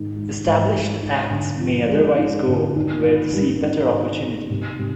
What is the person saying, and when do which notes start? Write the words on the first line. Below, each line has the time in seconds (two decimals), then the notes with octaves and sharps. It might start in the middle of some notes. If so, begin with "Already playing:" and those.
Established acts may otherwise go where they see better opportunity.
Already playing: G#2 D#3
0.16 G#3
0.45 G#2
0.74 G#2
1.02 D#4
1.31 D3
1.60 F3
1.89 G#3
2.18 D#4
2.47 D3
2.76 D#3
3.05 D#3
3.35 G3
3.63 D4
3.93 D#3
4.21 D#3
4.50 C3
4.79 C3